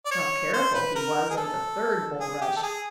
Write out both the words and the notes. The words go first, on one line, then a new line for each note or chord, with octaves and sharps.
How careful he was of the third bulrush!
D5
C#5
C5
B4
A#4
G#4
A4
G#4
G4
A4
G#4